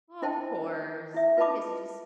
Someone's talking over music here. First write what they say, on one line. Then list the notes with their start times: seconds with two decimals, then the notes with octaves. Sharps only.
Oh, of course. I think it's just
0.22 D4 E4 C5 D#5 G5 A5
1.14 E4 E5
1.37 F4 B4 D#5 A5 B5 D6